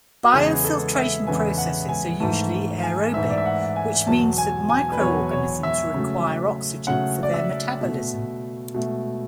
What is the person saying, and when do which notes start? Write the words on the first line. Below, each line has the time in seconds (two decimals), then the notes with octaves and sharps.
Biofiltration processes are usually aerobic, which means that microorganisms require oxygen for their metabolism.
0.23 F#4
0.33 E2 C#3 E3 G#3 B3 G#4
0.65 A4
0.95 E5
1.27 E2 C#3 E3 G#3 B3 G#5
1.58 F#5
1.89 G#5
2.20 G#2 E3 A3 A5
2.83 G#5
3.13 G#2 E3 A3 E5
3.30 D5
3.38 E5
3.45 F#5
3.76 G#5
4.07 E2 B2 F#3 A5
4.38 G#5
4.70 G#5
4.92 B4
5.00 E2 B2 F#3 C#5
5.31 C#5
5.63 E5
5.94 C#3 F#3 A3
6.87 C#3 F#3 A3 F#5
7.23 D5
7.34 E5
7.81 B2 A3
8.74 B2 A3